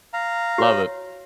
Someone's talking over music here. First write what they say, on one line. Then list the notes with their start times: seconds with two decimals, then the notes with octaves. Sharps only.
Love it.
0.13 F5 A#5
0.58 F#4 C#5